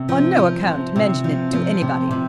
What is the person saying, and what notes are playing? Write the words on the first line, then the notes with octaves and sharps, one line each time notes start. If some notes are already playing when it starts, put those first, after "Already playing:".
"On no account mention it to anybody."
Already playing: C3
F3
F3
C3
C3
F3
F3
C3
C3